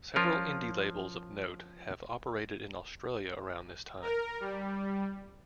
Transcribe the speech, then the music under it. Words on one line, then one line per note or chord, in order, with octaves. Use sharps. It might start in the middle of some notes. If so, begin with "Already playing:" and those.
Several indie labels of note have operated in Australia around this time.
F3 C#4 F4 A#4
A#4
G3